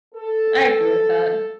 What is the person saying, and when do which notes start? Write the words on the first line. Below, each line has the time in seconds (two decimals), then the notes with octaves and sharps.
I agree with that.
0.15 A4